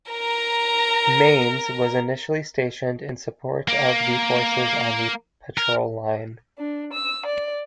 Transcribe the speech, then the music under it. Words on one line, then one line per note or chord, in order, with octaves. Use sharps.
"Mainz" was initially stationed in support of the forces on the patrol line.
A#4 A#5
A#3
A#4
D4
E6
D5